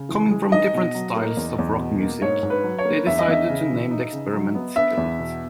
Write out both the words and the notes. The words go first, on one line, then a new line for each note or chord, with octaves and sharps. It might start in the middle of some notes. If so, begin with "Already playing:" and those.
Coming from different styles of rock music, they decided to name the experiment Skillet.
Already playing: C#3
E3
G#3
D#4 D#5
B2
F#3
A#3
E2
E2
B2
A#3
G#2 C#5
G#2
B4
F#3
C#5
A#3
E2 E5
D#5
E2 E5
C#3
E3
D#4
C#3
F#3
B3
B3 E5
E2
B2